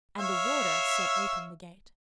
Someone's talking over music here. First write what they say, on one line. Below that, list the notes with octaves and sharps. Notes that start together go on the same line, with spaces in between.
And the Warder set open the gate.
C#5 E5 F5